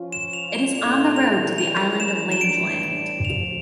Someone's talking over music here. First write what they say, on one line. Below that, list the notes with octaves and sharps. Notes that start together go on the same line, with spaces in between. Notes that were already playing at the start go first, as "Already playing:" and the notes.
It is on the road to the island of Langeland.
Already playing: F3 C#4 F4
E7
F7
G7
A#2 A3 E4 A4 D5 F7
F7
F3 C#4 E4 A#4 F7
E7
E7
A2 E3 G3 D4 D7
E7
D2 C#3 F3 F7